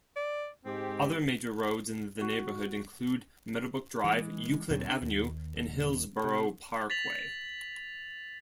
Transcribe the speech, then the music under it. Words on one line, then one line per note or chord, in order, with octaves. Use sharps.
Other major roads in the neighborhood include Meadowbrook Drive, Euclid Avenue, and Hillsboro Parkway.
D5
G#2 G#3 C4 G4
F#4
E3 G#3
D2 A#2 F#3 C4
D4
D#2
D#1 D#2
C3
A6 B6 F7 F#7